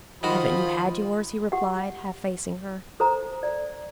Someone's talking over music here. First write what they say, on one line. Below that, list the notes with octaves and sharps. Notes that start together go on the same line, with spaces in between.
'Haven't you had yours?' he replied, half-facing her.
D#3 F3 F4 F#4 B5 D#6
G4 F#5
A4 C5 A#5
D5